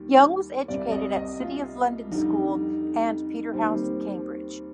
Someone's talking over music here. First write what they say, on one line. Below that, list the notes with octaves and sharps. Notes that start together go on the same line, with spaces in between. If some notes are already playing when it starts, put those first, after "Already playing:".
Young was educated at City of London School and Peterhouse, Cambridge.
Already playing: D#2 D#3 G3
C2 C3 G3 D5
D#5
D#5
F4
F2 D3 G3 D#4
D#2 D#3 G3 C4